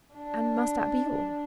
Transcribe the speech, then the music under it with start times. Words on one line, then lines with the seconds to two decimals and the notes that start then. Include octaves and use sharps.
"And must that be all?"
0.14 D4